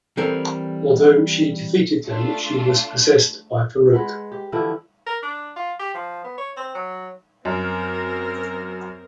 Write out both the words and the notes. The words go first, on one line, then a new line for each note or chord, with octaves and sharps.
Although she defeated them, she was possessed by Farouk.
E3 G3 C4 A4 A#4
A3 D4 F4
G#3 B4 F#5
G4
D3 E3 F3 E4
A#4
D4
F4
G4
F3
B3
C#5
C4
F#3
F#2 C4 A#4